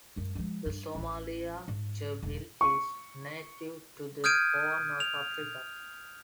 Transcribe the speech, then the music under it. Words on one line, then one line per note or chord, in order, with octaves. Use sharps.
The Somalia gerbil is native to the Horn of Africa.
F#2 G#3
F3 G#3
G2
A1 C#4
G#2
E1 C#3
C#6
D#6 F6 G6 G#6 D7 D#7
F7